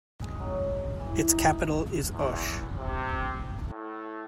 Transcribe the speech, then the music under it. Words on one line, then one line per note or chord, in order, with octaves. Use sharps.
Its capital is Osh.
G#3
F#3
E3
D#4
E2
C3
A2